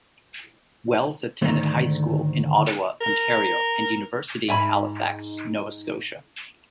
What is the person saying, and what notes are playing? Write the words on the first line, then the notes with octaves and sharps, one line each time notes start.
Wells attended high school in Ottawa, Ontario and university in Halifax, Nova Scotia.
D2 G#2 D#3 A3
A#4
G#2 E5 G#5 B5